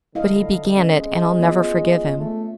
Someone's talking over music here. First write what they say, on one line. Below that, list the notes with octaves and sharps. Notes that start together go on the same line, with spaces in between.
But he began it, and I'll never forgive him.
D3 E4 D#5 F5
G#3 C#4
B3 F4 C#5
A3